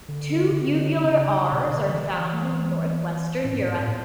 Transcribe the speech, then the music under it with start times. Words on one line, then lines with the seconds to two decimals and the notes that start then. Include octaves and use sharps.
Two uvular Rs are found in north-western Europe.
0.09 D3
0.52 C#3
0.56 D3
0.96 D3
1.04 C#3
1.52 B2
1.69 C#3
1.77 D3
1.89 E3
3.45 A2
3.53 G#2
3.62 A2
3.88 A2